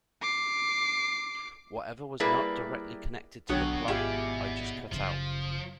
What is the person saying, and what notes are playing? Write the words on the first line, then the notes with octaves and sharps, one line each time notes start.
Whatever was not directly connected to the plot, I just cut out.
D6 C7
G3 A#3 E4 G#4 B4 D5
B1 B2 D3 F#3 C#5 F#5 D#6
G#1 E4 F4 G4 G#4 D5
F#1 C#3 F3